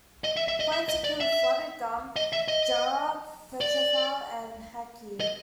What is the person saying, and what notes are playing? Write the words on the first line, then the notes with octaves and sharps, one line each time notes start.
Plants include flooded gum, jarrah, petrophile and hakea.
D#5
E5
E5
D#5
E5
D#5
D5
E5
D#5
E5
D#5
D5
D#5